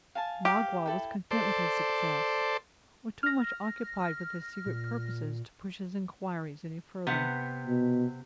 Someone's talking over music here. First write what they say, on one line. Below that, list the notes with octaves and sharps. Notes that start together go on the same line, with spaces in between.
Magua was content with his success, or too much occupied with his secret purposes to push his inquiries any further.
F5 G#5 A5
G4 F5
E4 A4 G5
A4 C5 D5
F6 A#6
A#2
C3 B3 F#5
B2